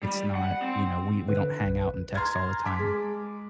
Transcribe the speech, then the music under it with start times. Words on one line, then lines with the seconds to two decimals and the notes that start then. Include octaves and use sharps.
it's not, you know we we don't hang out and text all the time.
0.03 G3
0.35 F#5
0.61 C4
1.28 D3 B4
1.66 B1
2.14 A#5 C6 F6 G#6 A6
2.64 A5 C6 D6 B6
2.79 G#3